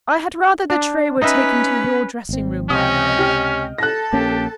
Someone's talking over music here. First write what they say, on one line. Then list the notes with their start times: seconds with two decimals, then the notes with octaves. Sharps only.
"I had rather the tray were taken to your dressing-room, my love."
0.70 D4
1.22 C#4 D#4 B4 D#5 E5
2.29 G#1 C4
2.70 C#2 C3 C#4 D#5 G5 D#6
3.19 G4 F6
3.78 A4 A5 F#6 A#6
4.13 A#1 A#3 C#4 G4